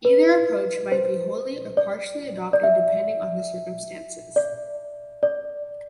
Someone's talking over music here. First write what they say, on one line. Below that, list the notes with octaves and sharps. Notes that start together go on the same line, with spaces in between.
Either approach might be wholly or partially adopted depending on the circumstances.
B4
C5
D5
D5
E5
D5
D5